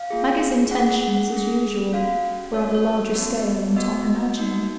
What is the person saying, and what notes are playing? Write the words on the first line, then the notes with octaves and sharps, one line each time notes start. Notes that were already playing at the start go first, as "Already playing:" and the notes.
Maggie's intentions, as usual, were on a larger scale than Tom imagined.
Already playing: F5
A#3 F4 G#4
C#4 G#4 F#5
C#4 G#4
C#4 F#4 F5
C#4 F#4 C#5
C#5
B3 F#4
B3 F#4 D#5
A#3 D#4 F#4